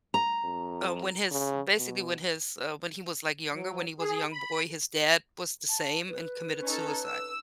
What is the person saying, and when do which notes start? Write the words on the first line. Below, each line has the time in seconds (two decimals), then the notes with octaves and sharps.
uh, when his basically when his, uh, when he was like younger, when he was a young boy, his dad was the same and committed suicide.
0.14 A#5
0.44 F2
1.31 C#3
1.77 B2
3.53 F#3
4.00 G#4
4.32 B5
5.69 A5
6.09 B4
6.63 C#4 D#4 A4
7.04 E6